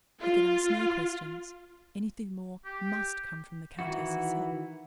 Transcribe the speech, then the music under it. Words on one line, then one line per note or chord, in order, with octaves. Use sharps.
He could ask no questions--anything more must come from the Countess herself.
F4
G4
D#3 E3 E4 F#4